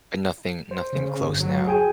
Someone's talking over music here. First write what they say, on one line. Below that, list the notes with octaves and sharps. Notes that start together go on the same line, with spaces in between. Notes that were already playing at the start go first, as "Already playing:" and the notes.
But nothing nothing close now.
C5
C#3
G1
F#3
G#4 G5 G#5